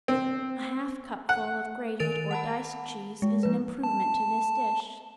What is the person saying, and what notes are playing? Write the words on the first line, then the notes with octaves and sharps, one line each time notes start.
A half cupful of grated or diced cheese is an improvement to this dish.
C4
F#5
D#3 A#4 A6 D7 F7
F#5 A5 B5
G#3
F3 B4
A5